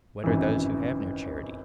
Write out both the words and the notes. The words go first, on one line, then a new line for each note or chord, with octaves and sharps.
What are those who have no charity?
G#1 F#2 C#3 E3